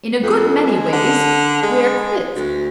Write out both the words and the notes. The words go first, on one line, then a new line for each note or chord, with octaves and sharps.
In a good many ways, we're quits.
F2
G#3
D3
G#3
D2